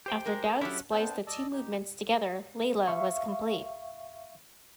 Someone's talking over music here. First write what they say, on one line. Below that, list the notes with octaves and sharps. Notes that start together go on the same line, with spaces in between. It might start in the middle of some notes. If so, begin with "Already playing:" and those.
After Dowd spliced the two movements together, "Layla" was complete.
G4 C5 G5
G#3 A#4
F#3 C#4 E4 G4 A4
B3 C4 D4 C5 A5
D5 D#5 A5 E6
D#4 G4
E5 F5 C#6